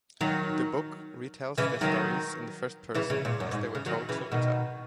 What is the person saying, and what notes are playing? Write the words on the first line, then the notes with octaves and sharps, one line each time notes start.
The book retells their stories in the first-person, as they were told to Ritter.
D#3 F#3
C#3 E3
D#3 F#3
C#3 E3
C#3
A#2
F#2
G#2
C#3
D#3 F#3
C#3 E3
B2 D#3